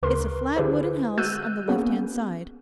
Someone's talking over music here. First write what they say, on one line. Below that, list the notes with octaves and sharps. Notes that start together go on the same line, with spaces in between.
'It's a flat wooden house, on the left-hand side.
D2 C#3 A#4 B4 C6
D3 E4 G4 G#4 B4 C5
G#3 F#4 E6 F#6 G6 D#7
A#3 B3 C#4 F#4 G#4